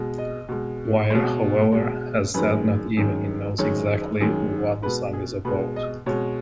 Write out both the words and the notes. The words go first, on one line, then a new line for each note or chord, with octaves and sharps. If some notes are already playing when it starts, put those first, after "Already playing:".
Wire, however, has said not even he knows exactly what the song is about.
Already playing: B2 G#3
D#5
B2 G#3
B2 G#3 C#5
B2 G#3
F#2 D#3 G#3 B4
F#2 D#3 G#3
F#2 D#3 G#3 C#5
F#2 D#3 G#3
B2 G#3 B4
G#4
B2 G#3 B4
D#5
B2 G#3 C#5